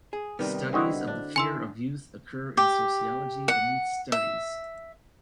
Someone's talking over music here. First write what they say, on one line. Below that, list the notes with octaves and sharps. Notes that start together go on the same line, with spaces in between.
Studies of the fear of youth occur in sociology and youth studies.
G#4
C3 D#3 G3 B3
D3 C4 E4 F#4 D#5
D4
D#3 E4 G#5 C6 E6
G4
F#5
E5